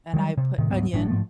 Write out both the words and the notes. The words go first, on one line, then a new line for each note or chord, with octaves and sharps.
and I put onion
D#3 F#3 G3
C3
A2 C3 D#3
D2 G#2 F#3 B3
G1 A2 F#3 D4
G#2 F3 A3